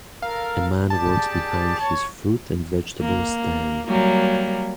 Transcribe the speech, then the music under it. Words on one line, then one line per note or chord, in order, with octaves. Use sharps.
A man works behind his fruit and vegetable stand.
A4 A#4 F5
G4 G#4 D5 A5
C#5
A#3
F#3 G3 A#3